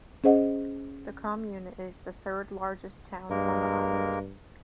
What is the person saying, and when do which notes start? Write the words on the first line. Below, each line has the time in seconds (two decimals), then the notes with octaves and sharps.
The commune is the third-largest town on the island.
0.24 C#4 G#4 C5 D#5 F#5
3.30 G2 G#3 A#3 A#4